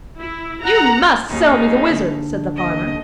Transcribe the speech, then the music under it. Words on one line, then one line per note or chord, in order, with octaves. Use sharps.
'You MUST sell me the wizard,' said the farmer.
E4
F#5 A#5
D#2 C#3 D#4
D3 D4
D#2 D#5